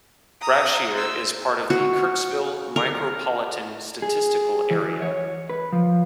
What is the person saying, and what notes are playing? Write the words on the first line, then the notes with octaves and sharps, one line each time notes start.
Brashear is part of the Kirksville Micropolitan Statistical Area.
A#5 D#6
C5 E6
F#4
A#4
G#4
E3
C#5
B4
F3